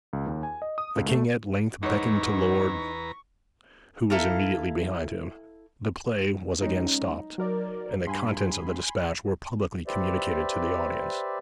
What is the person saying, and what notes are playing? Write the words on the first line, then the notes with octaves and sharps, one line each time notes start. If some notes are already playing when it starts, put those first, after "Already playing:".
The King at length beckoned to Lord ---, who was immediately behind him, the play was again stopped, and the contents of the despatch were publicly communicated to the audience.
C#2
D#2
G#5
D#5
D#6
C#2
A3
E2 G#2 D#4 B4 C#5 F#5 A#5 C#6
E4 A4 F5 A#5
F#3 G#3 C#4 D#4
F#3 A#4 D5
G2 G#5 B5 C6
G4 B4 C5 D5 E5